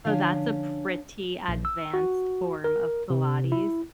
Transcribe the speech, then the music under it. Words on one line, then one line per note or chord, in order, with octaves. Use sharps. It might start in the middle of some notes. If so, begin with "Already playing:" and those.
Oh, that's a pretty advanced form of pilates.
D3 F3 C#4 D4 F5
A#1
E6
F#4
A#4
C3
E4